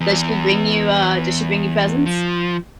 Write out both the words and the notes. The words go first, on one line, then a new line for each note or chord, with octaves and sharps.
Does she bring you, uh, does she bring you presents?
E2
F3